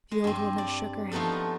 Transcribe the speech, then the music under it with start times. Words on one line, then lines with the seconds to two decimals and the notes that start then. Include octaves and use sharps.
The old woman shook her head.
0.11 G#3
0.24 G2 C4
0.58 D5
1.11 F3 A3 B3 D#4 A4